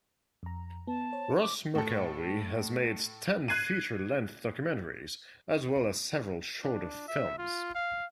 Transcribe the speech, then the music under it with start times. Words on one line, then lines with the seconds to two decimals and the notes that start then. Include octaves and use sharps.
Ross McElwee has made ten feature-length documentaries as well as several shorter films.
0.43 F2 A#5
0.87 B3 A5
1.13 C5 C#5
1.42 D6
1.75 A2 A4
3.48 F#6 G#6 C7 D#7
6.64 D4
7.08 E5
7.38 F4
7.75 F5